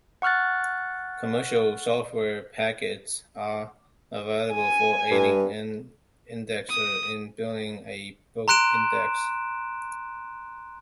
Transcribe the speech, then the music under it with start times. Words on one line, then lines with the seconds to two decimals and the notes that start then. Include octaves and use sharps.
Commercial software packets are available for aiding an indexer in building a book index.
0.22 F#5 C#6 F6 F#6 A6
4.54 G#5
5.11 G2
6.69 D#6
8.48 A#5 C6 F#6 D7 E7